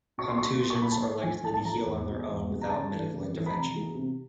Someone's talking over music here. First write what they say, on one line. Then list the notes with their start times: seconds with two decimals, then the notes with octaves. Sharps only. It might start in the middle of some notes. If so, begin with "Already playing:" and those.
Contusions are likely to heal on their own without medical intervention.
0.18 B2 C#6
0.28 C6
0.38 F#3 A#3 C#6
0.59 B2 C6
0.70 C#6
0.81 F#3 B5
0.85 A#3
0.91 A5
1.02 A2
1.23 F3 A3 G#5
1.43 A2 A5
1.54 A5
1.65 F3 A#5
1.68 A3
1.86 E2
2.07 B2 G#3 B3
2.28 E2
2.48 B2 G#3 B3
2.62 A#5
2.69 C#3 A5
2.91 E3 A3
3.12 C#3
3.32 E3 A3
3.46 B5
3.53 C3 A#5
3.75 E3 G#3 B3
3.95 C3